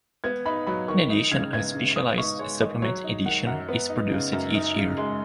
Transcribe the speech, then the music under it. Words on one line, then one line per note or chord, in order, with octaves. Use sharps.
In addition, a specialised "supplement" edition is produced each year.
B3 G#6
D#4 B5
F#3 B5
D#3 C#6
D#4
C#3 G#6
B3 G#6
C#3
B3 D#6
D#4 C#6
G#3 C#5
D#3 D#5
F#3 C#5
D#4
D#3 F#5
F#2 F#5
B3
D#4
C#3
F#2
D#4
C#3
G#3